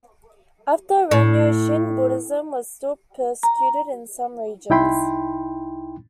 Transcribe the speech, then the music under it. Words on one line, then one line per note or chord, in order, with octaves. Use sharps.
After Rennyo, Shin Buddhism was still persecuted in some regions.
A2
A#5
C2 D#4 E4 G5 B5 C6